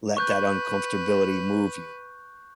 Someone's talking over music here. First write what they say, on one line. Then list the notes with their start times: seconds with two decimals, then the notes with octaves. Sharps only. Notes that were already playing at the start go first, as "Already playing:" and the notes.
let that un-comfortability move you.
0.17 B4 C#6 F#6 G6